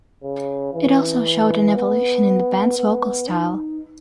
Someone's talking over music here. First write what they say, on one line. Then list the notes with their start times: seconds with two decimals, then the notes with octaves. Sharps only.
It also showed an evolution in the band's vocal style.
0.23 C#3
0.74 E3
1.76 B3
2.78 B3
3.28 D#4